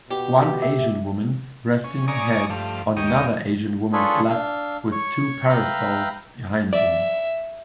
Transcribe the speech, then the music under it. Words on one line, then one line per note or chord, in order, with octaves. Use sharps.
One asian woman resting her head on another asian woman 's lap with two parasols behind them.
B2 G4
E5
C#4
C#5 D5 G#5 A#5 C#6 D#6
G2 F3 A3
D#2 G4 C#5 D#5
D4 F4 G#4 A4 B4 C#5
D4 F5 E6
C#5 C#6
B4 E5 F5 G5 A#5
D5 E5